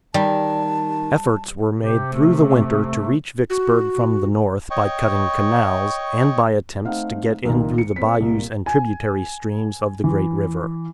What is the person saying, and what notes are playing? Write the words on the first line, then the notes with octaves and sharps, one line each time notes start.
Efforts were made through the winter to reach Vicksburg from the north by cutting canals, and by attempts to get in through the bayous and tributary streams of the great river.
D#3 G3 A5
C3 G4
A3
F#4
C#5 D#5 G5 C#6
A3 C4 D#4 F5 F#5
C2 A#2 D#3
C#7
A#3 C4 B6
C2 A#2
G#5
E3